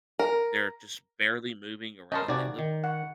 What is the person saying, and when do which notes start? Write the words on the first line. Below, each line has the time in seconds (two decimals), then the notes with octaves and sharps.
They're just barely moving around, they look
0.19 A#4
2.12 C#4 A#4 D#5 A5 C6
2.28 C3 D#4 F#4 D5 G#5
2.59 D#3
2.84 F#5